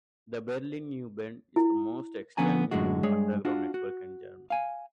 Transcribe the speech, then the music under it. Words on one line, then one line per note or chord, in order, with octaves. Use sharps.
The Berlin U-Bahn is the most extensive underground network in Germany.
E4
D3 F3 B3 C#4 G#5 A#5
F#2 A2 D3 G#3 F#4
G2 G#3 G#4 C#5
D4 F4 F#4
F#4
F5 G#5